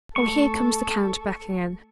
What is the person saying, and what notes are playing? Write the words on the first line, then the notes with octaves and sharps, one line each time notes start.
Oh, here comes the count back again.
A3 A4 C#6